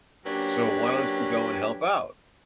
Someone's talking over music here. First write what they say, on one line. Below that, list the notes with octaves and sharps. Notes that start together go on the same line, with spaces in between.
so, why don't you go and help out?"
F#3 A#3 C#4 D4 G4 B4